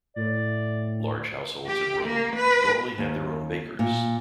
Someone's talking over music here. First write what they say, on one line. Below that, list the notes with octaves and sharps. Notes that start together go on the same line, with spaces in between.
Large households in Rome normally had their own bakers.
A2 D5
G4
A#3
B4
D#2
A#2